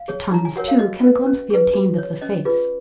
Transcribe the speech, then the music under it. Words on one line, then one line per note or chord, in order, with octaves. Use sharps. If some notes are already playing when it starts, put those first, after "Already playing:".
At times too can a glimpse be obtained of the face.
Already playing: F5
G#4 C#5
D#4 A#5
G#5
F#4 A#4 C#5 F#5
F5
F#4 D#5
B4
C#4
G#4 B4
F#4
C#5
C#4 D#5
F4 G#4 B4